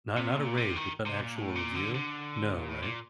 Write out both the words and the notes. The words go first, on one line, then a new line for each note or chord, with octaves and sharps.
Not not a raise. It's an actual review. No, right?
C3
A#2
C3
D#3
C3
A#2
A2
A#2
D3
D3
A#2
A2
A#2